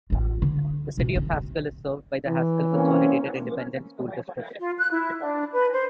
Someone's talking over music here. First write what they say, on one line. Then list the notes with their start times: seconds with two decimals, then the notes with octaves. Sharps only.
The City of Haskell is served by the Haskell Consolidated Independent School District.
0.10 A1 F4
0.42 D3
0.97 G#2 B2
1.15 D3 C4
1.33 C4
2.27 E3
2.73 A#3 C4 C#4
4.59 F4
4.77 F#6
4.91 E4
5.20 D4
5.52 B4
5.72 C5